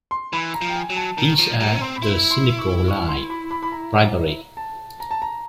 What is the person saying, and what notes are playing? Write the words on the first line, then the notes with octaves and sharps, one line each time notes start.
These are the cynical lie, bribery.
C6
E3 B5
A#5
F3
G5
G#5
F#3
A5
D#3 A#5
F3 A#5
G3 A#5
C#4
C4 C6
B5
E4 C6
C6
C#6
C#6
C6
B5
B5
B5
A#5
A5
A#5
A5
A#5